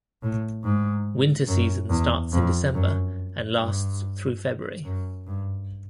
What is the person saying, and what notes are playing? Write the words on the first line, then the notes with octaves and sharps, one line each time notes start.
Winter season starts in December and lasts through February.
A2
G#2
F#2
E2
F2
F#2
G2
F#2
G2